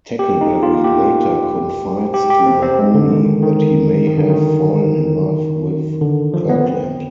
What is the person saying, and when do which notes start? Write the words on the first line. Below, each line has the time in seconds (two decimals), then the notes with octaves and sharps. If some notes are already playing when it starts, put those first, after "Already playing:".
Tackleberry later confides to Mahoney that he may have fallen in love with Kirkland.
0.19 G4
0.41 D#4
0.63 F4
0.84 G4
2.14 G4
2.30 G4
2.46 C4
2.62 C4
2.79 G#3
2.94 D3
3.10 D#3
3.42 D#3
4.08 D#3
4.18 D3
4.30 D#3
6.01 D3
6.34 F3
6.49 B3
6.66 C4